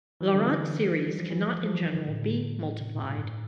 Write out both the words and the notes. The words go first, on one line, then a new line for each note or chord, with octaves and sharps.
Laurent series cannot in general be multiplied.
E3
D3
E3
G3
F3
E3
F3
F3
E3
E3
D3
A2
A2
C3
A#2
G2
A2